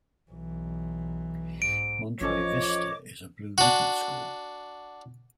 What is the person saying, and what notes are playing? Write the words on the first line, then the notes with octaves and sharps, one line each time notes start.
Monterey Vista is a Blue Ribbon School.
B1 E3
G#2 D7
A1 F3 C#4 A4 C#5 D#5 D6
D4 F#4